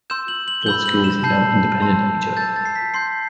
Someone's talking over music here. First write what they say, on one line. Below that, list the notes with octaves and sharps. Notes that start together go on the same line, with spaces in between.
Both schools are now independent of each other.
C6 E6 G6 E7
F#7
F#7
G7
B5 E6 G6 F#7
F#7
E7
A5 E6 G6 C7
A5 C6 E6
A5 E6 G6 A6
A6
C7
B6
C6 G6 C7